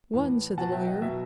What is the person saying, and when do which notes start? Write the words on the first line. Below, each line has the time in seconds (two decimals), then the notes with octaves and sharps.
"One," said the lawyer.
0.14 A2 E3
0.58 B2 F#3 F#5 A5
0.72 E5 G5
0.87 D#5 F#5
1.02 B2 F#3 E5